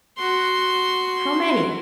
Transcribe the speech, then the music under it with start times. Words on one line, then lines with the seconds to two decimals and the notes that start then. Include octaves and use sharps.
How many?
0.17 F#4 C6